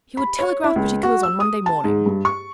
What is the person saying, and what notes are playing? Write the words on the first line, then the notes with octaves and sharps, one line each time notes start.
He would telegraph particulars on Monday morning.
B5
C#5
E4
C#2
F#4
E6
D#6
A5
G#2
G2
C#6